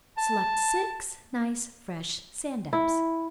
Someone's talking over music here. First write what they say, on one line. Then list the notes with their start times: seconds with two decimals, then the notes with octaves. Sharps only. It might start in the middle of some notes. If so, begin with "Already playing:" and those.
Select six nice fresh sand-dabs.
0.17 A5
2.73 E4